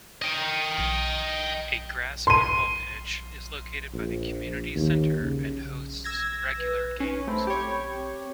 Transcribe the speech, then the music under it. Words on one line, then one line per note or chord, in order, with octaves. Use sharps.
A grass football pitch is located by the community centre and hosts regular games.
D#5 G5
C6 D#7
A#1
D#2
C#3
E6 G#6 A#6
B4
C#4 D#4
A3 C4 B5
G4 C#5
C4